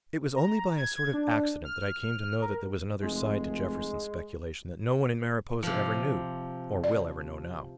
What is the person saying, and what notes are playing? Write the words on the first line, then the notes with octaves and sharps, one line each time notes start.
It was only by a sort of accident that I came to know that there was another side to Jefferson's speculation that no one in Mariposa ever knew, or will ever know now.
A#5
G#6
D4
F6
A#4
F1 G#3
C3 F3
D5